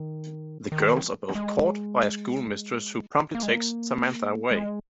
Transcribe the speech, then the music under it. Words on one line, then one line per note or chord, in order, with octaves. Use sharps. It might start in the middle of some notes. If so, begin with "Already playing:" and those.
The girls are both caught by a school mistress, who promptly takes Samantha away.
Already playing: D#3
D#3
G#3
A#3
G#3
A#3
G#3